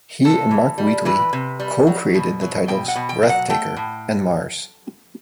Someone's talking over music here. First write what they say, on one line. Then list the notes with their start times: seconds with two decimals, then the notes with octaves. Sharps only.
He and Mark Wheatley co-created the titles "Breathtaker" and "Mars".
0.25 C3 A4
0.51 E3
0.78 G3
1.05 E3 B4
1.33 C3
1.60 G3
1.87 F#3
2.14 B2
2.41 F#3
2.68 B2 G5
2.88 F#5
2.96 B2
3.09 G5
3.22 F#3
3.29 F#5
3.50 A3 G5
3.76 A2